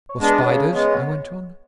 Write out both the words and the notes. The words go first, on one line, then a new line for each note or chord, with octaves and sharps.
"Or spiders?" I went on.
C#5
G#3 B3 D4
B4
C#3 C#5
G#3 B3